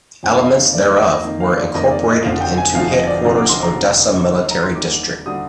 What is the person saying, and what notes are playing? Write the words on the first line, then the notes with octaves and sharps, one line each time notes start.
Elements thereof were incorporated into Headquarters Odessa Military District.
F2 D#3 A#3 G5
F5
D#5
F2 D#3 A#3 D5
D#5
D#5
D#5
F2 D#3 A#3 D#5
F5
D5
F2 D#3 A#3 D#5
D5
D#5
F1 F2 D3 F3 F5
G5
G#5
F1 F2 D3 F3 F5
D#5
D5
F1 F2 D3 F3 A#5
D6
C6
A#5
F1 F2 D3 F3
D#2 D3 G3
A#5
C6
D#2 D3 G3 D6
D3 G3 D#6